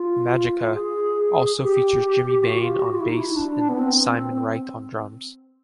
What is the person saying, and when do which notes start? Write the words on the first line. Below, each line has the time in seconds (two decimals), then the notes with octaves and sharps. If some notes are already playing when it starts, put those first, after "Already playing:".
"Magica" also features Jimmy Bain on bass and Simon Wright on drums.
Already playing: F4
0.74 G#4
1.61 G4
2.43 F4
2.48 F#4
2.59 F4
2.71 G4
2.81 F#4
2.92 F4
3.00 E4
3.09 D#4
3.17 E4
3.36 D4
3.69 B3
3.79 C4